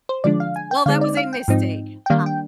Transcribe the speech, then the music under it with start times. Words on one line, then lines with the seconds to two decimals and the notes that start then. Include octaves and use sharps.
well, that was a mistake, ha
0.09 C5
0.24 D3 F3 G#3 D4 D5
0.40 F5
0.56 G#5
0.71 G5
0.86 D3 G#3 C4 D#4 F5
1.01 D5
1.17 F5
1.33 G5
1.48 G#2 F3 C4 D#4
2.06 G5
2.10 D#3 G3 A#3 D4 F5
2.26 G5